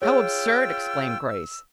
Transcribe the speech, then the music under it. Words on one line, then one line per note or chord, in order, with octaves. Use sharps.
"How absurd!" exclaimed Grace.
F4 G#4 C#5 G5 E6